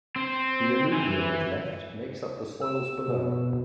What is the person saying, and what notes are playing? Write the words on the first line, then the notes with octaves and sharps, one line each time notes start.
The alluvium it left makes up the soils below.
C4
E3
E6
B2